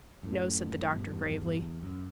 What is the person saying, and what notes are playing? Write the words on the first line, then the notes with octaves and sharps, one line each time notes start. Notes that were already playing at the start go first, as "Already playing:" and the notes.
"No," said the doctor gravely.
F#2 A2
G2 B2
E2 G2
E2 G2
E2 G2
E2
F#2